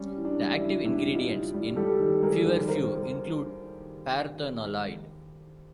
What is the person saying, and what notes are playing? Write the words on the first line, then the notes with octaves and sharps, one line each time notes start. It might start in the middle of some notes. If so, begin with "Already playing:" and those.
The active ingredients in feverfew include parthenolide.
Already playing: G3 C#4
E3
D4
G3
D4 E4
E3
G3 D4 E4
E3
D#4 F4
E3
G3
G3 G4 A4
D#3
G3 G#4 A#4
D#2
A#4 C5